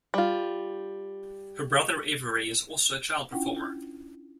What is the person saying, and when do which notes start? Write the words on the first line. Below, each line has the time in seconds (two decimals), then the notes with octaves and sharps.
Her brother Avery is also a child performer.
0.14 G3 F4
3.31 C#4 D4 E4 F4 F#5 G5